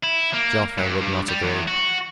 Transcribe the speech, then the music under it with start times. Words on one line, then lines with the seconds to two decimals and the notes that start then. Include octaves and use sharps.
Joffre would not agree.
0.04 E4
0.34 A#3
0.78 G2
1.01 G2
1.29 G3
1.42 E2
1.68 F#4